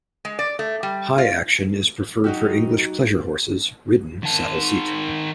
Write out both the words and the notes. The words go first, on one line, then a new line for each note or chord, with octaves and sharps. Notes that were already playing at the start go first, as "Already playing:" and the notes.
High action is preferred for English pleasure horses ridden saddle seat.
G#3
D5
A3
G3
F4
F#3 D#4 F#4 G4
D#3 A5